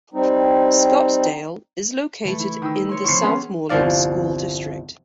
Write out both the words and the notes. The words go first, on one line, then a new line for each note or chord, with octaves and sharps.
Scottdale is located in the Southmoreland School District.
G3 C4 D#4
E3 A3
E4
D#3 D#6 E6
C#5 C6
F3 C4 E4 C#6 C7
B3 C#4 G#4
G1 C2 F3 D5 F5